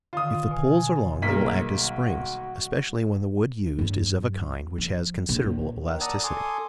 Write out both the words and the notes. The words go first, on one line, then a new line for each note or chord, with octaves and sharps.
If the poles are long they will act as springs, especially when the wood used is of a kind which has considerable elasticity.
D3 D#3 F4 D#6
B2 G#5
B1 G3 A#3 G#4 A#4 B6
F#4
G2 F#3
F3
A#1
D#3
D5 F#5 A5 A#5 D#6 E6
A4 G#5 C6 D6 D#6